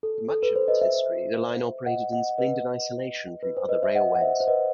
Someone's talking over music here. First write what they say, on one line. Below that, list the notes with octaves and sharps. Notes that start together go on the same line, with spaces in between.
For much of its history, the line operated in splendid isolation from other railways.
A4
A4
B4
C5
B4 D#5
C5 E5
D#5 F#5
D#5 F#5
B4 D#5
B4
C5
B4 D#5
C5 E5
D#5 F#5
F#5
C5 E5
C5
B4 D#5